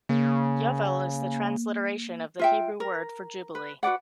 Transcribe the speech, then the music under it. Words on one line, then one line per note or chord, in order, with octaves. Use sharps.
Yovel is the transliteration of the Hebrew word for Jubilee.
C#3 A#3
F4 E5 G5
A#4
B4
F#4 B4 D5 F#5